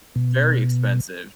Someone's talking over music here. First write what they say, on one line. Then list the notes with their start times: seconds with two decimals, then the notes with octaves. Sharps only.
very expensive,
0.16 B2